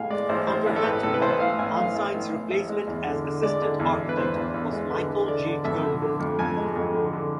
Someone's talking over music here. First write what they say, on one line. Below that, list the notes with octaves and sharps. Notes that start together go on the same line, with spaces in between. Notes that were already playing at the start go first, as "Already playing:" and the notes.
Under Hantman, Ensign's replacement as Assistant Architect was Michael G. Turnbull.
Already playing: A2 G#3 F5 G#5
G#3 D5
A1 C5
A1 C5
A1 B4
A4
A2 B4
A2 A4
B4
A1 C5
A1 F5
A1 G#5
A1 F5
A1
A1
A1
A1
G#3
E2
D3
D3
G#3 D5
D3
E2
E2
B4
E2 C5
E2
E2
G#3
D3 B4
D3
D3 D5
D3
F2 E5
D3
D3
F2
F2 G#5
G#3
F2
D3
D3